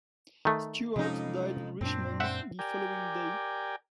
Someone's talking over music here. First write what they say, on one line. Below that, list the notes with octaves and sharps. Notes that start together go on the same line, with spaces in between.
Stuart died in Richmond the following day.
D#3 A3
F2 C3 G#3 C#4 D#4
F#2 A#2 C4 D4
C4 C5 E5 F#5
G4 A#4 D5 G5 G#5